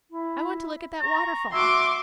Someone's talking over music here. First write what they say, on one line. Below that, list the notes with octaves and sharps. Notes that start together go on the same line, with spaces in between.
I want to look at that waterfall.
E4
A#5 C#6
F#4 E5 C6 D6